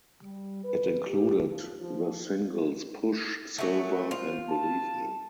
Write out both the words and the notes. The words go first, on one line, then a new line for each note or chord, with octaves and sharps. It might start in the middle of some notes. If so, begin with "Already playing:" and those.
It included the singles "Push", "Silver" and "Believe Me".
G3
B4
G4
F3
F3
F#3 A3 G#4 C#5 F#5
F4 C5
A5